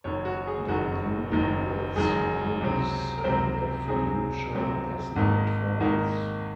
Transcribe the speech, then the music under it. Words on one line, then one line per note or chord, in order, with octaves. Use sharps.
The newlyweds muse on their future as night falls.
F#1 F#2 D#3 C#5
F#4
G#4
F#1 F#2 D#3 F#4
F#1 F#2 D#3
F#1 F#2 D#3 G#4
C#2 C3 F#3 C4
A#4
C#2 C3 F#3 C4 C5
C#2 C3 F#3 C4 G#4
C#2 C3 F#3 C4
G#1 G#2 D#3 A#3
G#1 G#2 D#3 A#3